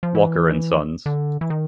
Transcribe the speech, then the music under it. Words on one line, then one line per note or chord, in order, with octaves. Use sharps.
Walker and Sons.
F3
E3
D3
E3
D#3